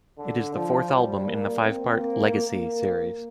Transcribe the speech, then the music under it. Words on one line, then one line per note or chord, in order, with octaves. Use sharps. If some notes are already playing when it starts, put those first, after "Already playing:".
It is the fourth album in the five-part "Legacy" series.
D3
F3
G3
A#3
C4
A#3
A#3